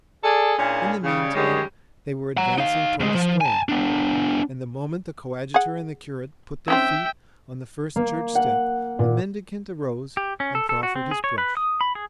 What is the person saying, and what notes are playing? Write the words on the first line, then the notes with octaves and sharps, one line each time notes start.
In the meantime they were advancing toward the square, and the moment the coadjutor and the curate put their feet on the first church step the mendicant arose and proffered his brush.
G#4 A4 D5
A#2 A#3 C#4 D4 E4 G#4
C#3 G3
F#2 D#3 G3 G#3 G#4 C#5
F#5 A#5
D#4 F5
D2 G#3
F3
G#5 A5
B3 D4
G#4 F#5
C4 C#4 D#4 E5 G5
A#3
F#5
A#2
G4
C#4
A4
A4
F#4
C4
G#4
C#5
B4
D#6
B5
G#4